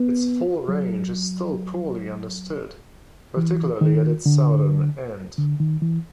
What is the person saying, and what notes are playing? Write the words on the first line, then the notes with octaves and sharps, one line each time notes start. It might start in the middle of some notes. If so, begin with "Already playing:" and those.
Its full range is still poorly understood, particularly at its southern end.
Already playing: B3
F#3
E3
D#3
D3
D3
D#3
E3